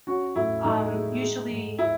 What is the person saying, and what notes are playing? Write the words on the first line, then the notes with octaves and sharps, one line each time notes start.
um, usually
C#4 F#4
A2 E4
A2 D#4
G#3
G#3
G#2
E4